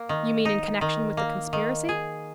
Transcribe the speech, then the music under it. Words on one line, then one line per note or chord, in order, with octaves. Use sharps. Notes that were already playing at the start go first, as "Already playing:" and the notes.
"You mean in connection with the conspiracy?"
Already playing: A#3
D#3
D#4
D#3
A#3
D#3
G#4